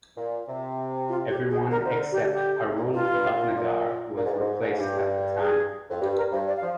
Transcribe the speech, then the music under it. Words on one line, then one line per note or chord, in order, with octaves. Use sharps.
Everyone except Parul Bhatnagar was replaced at the time.
A#2
C3
F4
G4
G#4
C3
D3 A#4
C5
A#4
G4
G4
C3
A#2
G#2
G2 F4
G2
A#2
C3
A#2
A#2
G#2
G2
G#2
A#2
G#2
G2 G4
G#4
F2
G2 G4
A#4
G2 C5
D5
F5
F3